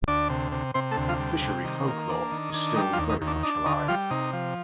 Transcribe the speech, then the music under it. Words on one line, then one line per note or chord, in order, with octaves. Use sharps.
Fishery folklore is still very much alive.
D2 D4 D5
C3
C3
C3 C4 C5
A3 A4
D2
F3 F4
G3
C3
D#3
A#3
D4
D#3
D4
G3 D#4
F3 F4
D#2
D#4
D#2
D4
D4 D#4
D3 D#4
F3 G3 F4
C3 D#4
F3